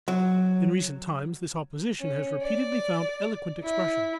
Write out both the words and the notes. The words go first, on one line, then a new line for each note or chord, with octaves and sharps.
In recent times this opposition has repeatedly found eloquent expression.
F#3
C#4
D5
E4